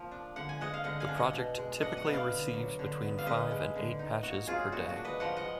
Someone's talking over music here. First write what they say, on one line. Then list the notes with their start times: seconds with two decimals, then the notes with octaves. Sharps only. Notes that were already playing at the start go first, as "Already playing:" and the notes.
The project typically receives between five and eight patches per day.
Already playing: F3 A#3
0.11 D4
0.36 D3 F#5
0.49 G#5
0.61 G#3 D#5 F#5
0.74 F5
0.84 D3 D#5 F#5
1.00 F5 G#5
1.08 D4
1.17 D#5 F#5
1.33 B2
1.58 G#3
1.81 D4 D#5 F#5
1.97 D#5 F#5
2.06 B3
2.13 D5 F5
2.30 D3
2.54 F#3
2.79 D3
3.02 B3
3.18 F5
3.26 D3 B4 D#5
3.51 G#3
3.75 D3
3.99 D#4
4.23 A#2 F#4
4.47 F#3 F4 G#4
4.72 A#2 F#4
4.89 F#4
4.96 D4
5.04 B4 D#5
5.20 F3 D#5 F#5
5.37 D#5 F#5
5.44 G#3